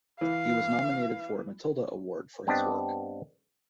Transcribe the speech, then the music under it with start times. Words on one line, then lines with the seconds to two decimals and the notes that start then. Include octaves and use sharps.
He was nominated for a Matilda Award for his work.
0.21 E3 F5
2.47 G2 B3 C4 D4 G4 D#5